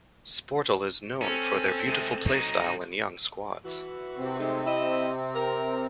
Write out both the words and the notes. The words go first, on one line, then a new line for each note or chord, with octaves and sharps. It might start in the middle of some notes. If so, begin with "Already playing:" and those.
Sportul is known for their beautiful play-style and young squads.
C4 C#4 A4
C3 G#3
F#3 D#4
E3 F#4
C3 C4
G#3 A3 D#4
E4 D#5
A#4